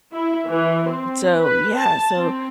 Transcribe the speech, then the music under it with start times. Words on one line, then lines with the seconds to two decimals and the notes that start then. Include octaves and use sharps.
And so, yeah. So,
0.13 E4
0.48 E3
0.89 C4
1.40 B4
1.77 A5
2.18 C4